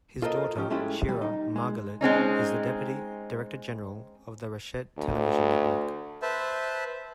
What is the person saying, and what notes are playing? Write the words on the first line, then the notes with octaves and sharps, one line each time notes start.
His daughter, Shira Margalit, is the deputy director-general of the Reshet television network.
F4 A4 A#4 C5 D#5
G#2 F3 C#4 G4
G#3 A3 C#4 E4 G4
C#2 G3
D#4
G#3
G#3 C4 C#4 D#4
D2
B4 C5 E5 A5